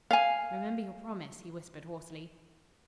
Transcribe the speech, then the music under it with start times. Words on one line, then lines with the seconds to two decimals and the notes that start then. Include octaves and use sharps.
"Remember your promise," he whispered hoarsely.
0.11 F5 G#5